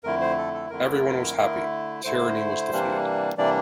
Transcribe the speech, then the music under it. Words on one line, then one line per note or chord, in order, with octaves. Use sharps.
Everyone was happy, tyranny was defeated.
F2 D3 A3 E4 A#4
C5
A4
A4
F2 D3 A3 E4 A#4
D3 A3 E4
D3 A3 E4 C5
C3 E3 G3 A#3 D4
C3 E3 G3 A#3 D4 D5